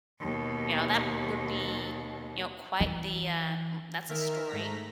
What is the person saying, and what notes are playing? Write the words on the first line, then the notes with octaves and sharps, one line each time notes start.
You know, that would be, you know, quite the, uh, m "That's a story.
D#2 B2
E3
D#3 A#4 E5 F6
G#2 A3 A#5 A#6 B6